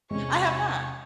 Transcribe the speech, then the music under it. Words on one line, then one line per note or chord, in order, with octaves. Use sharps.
I have not.
E2 C3 G#3 C#4 C#6